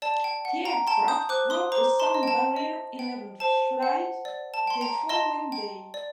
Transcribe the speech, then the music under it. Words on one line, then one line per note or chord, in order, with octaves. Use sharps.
The aircraft broke the sound barrier in level flight the following day.
D5 A5
G5
F#5
G5 A#5
G5 A5 C6
D#6 G6
C5 D6 F#6
C6 D#6
C5 A#5 D6
A5 C6
D#5
G5
A5
D#5
G5
C5 A5
F#5
D5
A5
G5 C6
G5 A#5
D#5 A5 C6
G5
D5